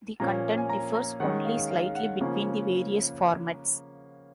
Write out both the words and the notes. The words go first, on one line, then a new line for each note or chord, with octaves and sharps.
The content differs only slightly between the various formats.
A#2 F3 A#3 C#4 A#5
G#5
A#5
A#5
D#3 G#3 C#4 F#5
F5
F5
F#5
C#3 F3 A#3 C#4